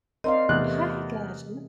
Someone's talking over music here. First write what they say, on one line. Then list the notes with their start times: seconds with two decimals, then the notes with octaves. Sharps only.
I got you.
0.24 C4 A#4 D5 D#5 F5 C6
0.49 E2 C3 E3 A3 F#6